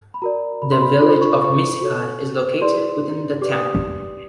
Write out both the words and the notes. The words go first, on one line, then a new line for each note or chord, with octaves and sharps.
The Village of Mishicot is located within the town.
B5
F#4 A#4 D5 A#5
B5
C6
B5
F4 A4 C5 B5
C#6
D6
C#6
F#4 A4 C#5
E4 G#4 B4 D5 C6
G4 B4 D5 D6
D#6